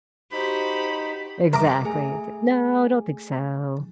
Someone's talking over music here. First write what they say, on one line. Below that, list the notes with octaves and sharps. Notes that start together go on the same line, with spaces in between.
Exactly. T no, I don't think so.
D#4 F#4 G4 C5 B5
A#4 E5 A#5 D6
A3 G#4 G#5